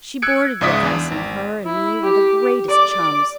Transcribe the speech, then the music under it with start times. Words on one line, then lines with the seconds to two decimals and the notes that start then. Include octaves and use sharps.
She boarded with us and her and me were the greatest chums.
0.22 E6 F#6 G#6 C#7 D7
0.61 C#2 G#2 D5 E5 D#6 B6
0.83 E2 D4
1.12 G#1
1.66 E4
2.04 G4
2.69 D5 D6